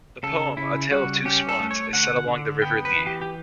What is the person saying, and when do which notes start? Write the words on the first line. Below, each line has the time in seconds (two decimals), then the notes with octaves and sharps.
The poem "A Tale of Two Swannes" is set along the River Lee.
0.23 C#3 A4
0.57 C#3 E4
0.91 G3 F#4
1.25 C#4 G4
1.49 A4
1.60 A3
1.71 C#5
1.93 D3 F#5
2.28 D3
2.62 B3 G5
2.85 B4
2.96 E3
3.07 G4
3.22 G4